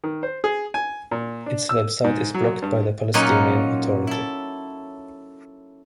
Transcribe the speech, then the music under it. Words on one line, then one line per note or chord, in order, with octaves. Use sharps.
Its website is blocked by the Palestinian Authority.
D#3
C5
G#4
G#5
A#2
D4
E6
G#2
F#3
G2
A#2 F#3 C#4 D#4 F4
E4 A4